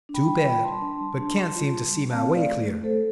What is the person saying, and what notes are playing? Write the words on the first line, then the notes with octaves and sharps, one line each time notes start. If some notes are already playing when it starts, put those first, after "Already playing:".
Too bad; but can't seem to see my way clear.
D4
G5 B5
G3
G5 B5
F4
G3 A5 C6
D4
G3
D4
G3
F4
G3
G3
C4 F5 A5
A3
D5 F5
A3
A3
A3 A4 C5